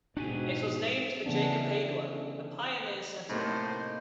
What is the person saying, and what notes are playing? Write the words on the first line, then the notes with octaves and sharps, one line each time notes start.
It was named for Jacob Haigler, a pioneer settler.
G#2 B2 D4 F#4 G4 G#5
C#3 E3 A3 B3 C#4 D4
A2 C3 A3 A#3 D#4 C5